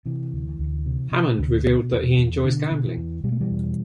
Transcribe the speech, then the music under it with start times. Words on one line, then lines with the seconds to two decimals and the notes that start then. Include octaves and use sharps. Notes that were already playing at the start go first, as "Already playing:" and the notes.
Hammond revealed that he enjoys gambling.
0.06 C3 E3
0.33 D2
0.59 D2
0.86 C3
1.12 C3
1.39 D2
1.65 B2
1.92 E2
2.18 E2
2.44 B2 D3
2.71 B2
2.85 E3
2.97 E2
3.24 B2 G3
3.32 A3
3.41 E3 G3
3.51 E2